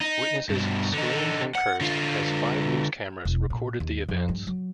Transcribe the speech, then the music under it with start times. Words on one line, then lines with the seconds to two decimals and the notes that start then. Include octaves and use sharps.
Witnesses screamed and cursed as five news cameras recorded the events.
0.01 D#4
0.50 G2 B2
0.94 D3 D#4
1.56 F#5
1.81 D3 F4
3.25 E1
3.50 A#2
3.80 D#2
4.09 F2
4.29 G2
4.47 F#3